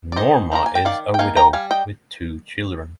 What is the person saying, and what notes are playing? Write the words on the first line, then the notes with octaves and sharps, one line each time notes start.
Norma is a widow with two children.
D5
D#3 C5 D#5
A#3 D#4 A#5
G#5
G5
D#3 D5 F5
G5
A#3 D#4 F5 G#5
G5 A#5
G3 F5 G#5
D#5 G5